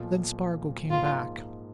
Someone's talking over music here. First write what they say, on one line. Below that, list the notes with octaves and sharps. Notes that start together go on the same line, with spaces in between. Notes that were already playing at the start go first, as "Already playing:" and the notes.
Then Spargo came back.
Already playing: B1 A#2 F3
G#2 F3 A#3 F4